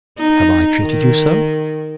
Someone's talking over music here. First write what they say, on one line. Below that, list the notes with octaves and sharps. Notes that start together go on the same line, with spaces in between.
"Have I treated you so?"
D#4
D#3